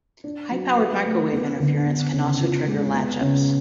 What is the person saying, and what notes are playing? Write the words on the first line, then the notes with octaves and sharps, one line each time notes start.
High-power microwave interference can also trigger latch ups.
D4
F#3
B4
A3
B3
D3
B3
C#3
F4
G#3
B3
C#3